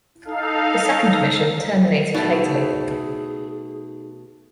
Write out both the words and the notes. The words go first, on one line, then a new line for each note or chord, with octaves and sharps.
The second mission terminated fatally.
D#4 A4 F5
B2 A3 D#4 G#4